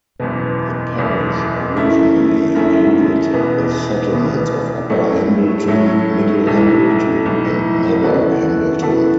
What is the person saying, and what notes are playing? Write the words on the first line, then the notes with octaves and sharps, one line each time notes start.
The parish originally included the settlements of Upper Hambleton, Middle Hambleton and Nether Hambleton.
F#1 E2 B2
F#1 E2 B2
F#2 C#3 A3 E4
F#2 C#3 A3 E4
E2 B2 B3
E2 B2 B3
A2 F#3 A3 C#4
A2 F#3 A3 C#4
B1 A2 E3
B1 A2 E3
F#2 E3 B3 F#4 A4
F#2 E3 B3 F#4 A4